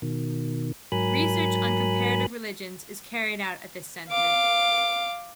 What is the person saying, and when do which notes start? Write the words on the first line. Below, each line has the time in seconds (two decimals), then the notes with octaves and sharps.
Research on comparative religions is carried out at this center.
0.02 B2 D#3
0.92 G#2 F#3 A#4 G#5 B5 F#6
4.09 F5 D6